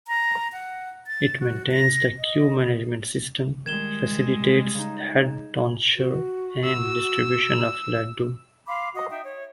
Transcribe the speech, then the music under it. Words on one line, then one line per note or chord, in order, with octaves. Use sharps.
It maintains the queue management system, facilitates head tonsure and distribution of laddu.
A#5
F#5
A6
F#4
A#6
D#5
D#3 G3 G#3 G#6 E7 G7
C#3 D#4
F#4
E6
F5 B5 C6 D6
F#4 D#5 D#6
D#4 E5 G5
C#5